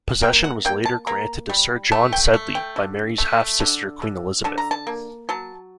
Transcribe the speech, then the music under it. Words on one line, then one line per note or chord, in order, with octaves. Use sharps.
Possession was later granted to Sir John Sedley by Mary's half-sister Queen Elizabeth.
A#3 G5
F#5
A#3 G5
A5
A#3 A#5
G3
A3 A5
G5
A3
G5
D3
A3
D3
D3
D3 A5
A#5
A5
A#3
F#3 A5